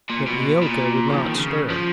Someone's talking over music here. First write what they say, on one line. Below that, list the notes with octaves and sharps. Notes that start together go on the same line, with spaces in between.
But Neeoka would not stir.
A#2
B2
A#2
F3
D#3
C#3
F3